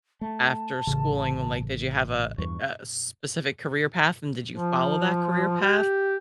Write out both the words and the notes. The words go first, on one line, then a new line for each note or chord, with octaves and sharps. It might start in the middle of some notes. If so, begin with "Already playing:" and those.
after schooling, um, like, did you have a eh a specific career path, and did you follow that career path
A3 A5
A1 C#3
E2 G2 C#6
F3
G4